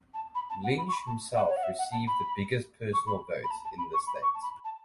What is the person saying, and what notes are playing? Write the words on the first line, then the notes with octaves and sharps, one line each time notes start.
Lynch himself received the biggest personal vote in the state.
A5
B5
A5
F#5
B5
C#6
B5
A5
F#5
C#5
F#5
E5
F#5
A5
B5
C#6
B5
B5
A5
A5
B5
C#6
B5
C#6
A5
B5
A5